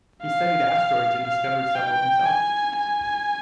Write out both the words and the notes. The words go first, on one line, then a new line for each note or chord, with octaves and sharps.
He studied asteroids and discovered several himself.
F5
F5
G5
G#5
G#5